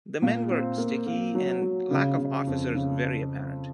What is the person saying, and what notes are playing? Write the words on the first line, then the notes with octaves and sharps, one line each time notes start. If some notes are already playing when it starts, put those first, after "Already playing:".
The men were sticky and lack of officers very apparent.
A#2
C4
A#3
A#3
F#3
F#3
C#3
C#3
F2
C#3